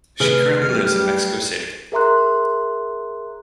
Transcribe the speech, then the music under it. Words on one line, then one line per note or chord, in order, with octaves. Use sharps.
She currently lives in Mexico City.
C3 D#3 A3 G#4 B4 F6
F#3 G3 A3 G4
G#4 A#4 E5 A#5 C6 F#6